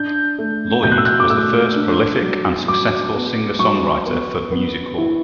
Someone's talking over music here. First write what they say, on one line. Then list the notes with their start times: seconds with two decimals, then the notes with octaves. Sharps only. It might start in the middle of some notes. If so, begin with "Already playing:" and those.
Lloyd was the first prolific and successful singer-songwriter for music hall.
Already playing: D4 G6
0.39 A3
0.83 B2 G6
0.91 F#6
0.98 E6
1.05 F#6
1.20 D6
1.29 A3 E6
1.76 D4
2.22 F#3
2.68 F#3 D6
3.14 B3
3.59 F#3 C#6
4.06 B3
4.51 B3
4.98 E4